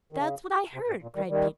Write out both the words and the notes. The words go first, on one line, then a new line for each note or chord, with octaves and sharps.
"That's what I heard," cried Peter.
D#3
C#3
C3
G#2
A#2
D#3 G3
D#3 G3